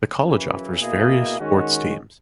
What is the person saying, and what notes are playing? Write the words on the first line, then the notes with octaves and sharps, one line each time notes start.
The college offers various sports teams.
F#2 C#3 E3
B2 A#3 E4 G#4 D#5
D#3 G#3 C#4 F#4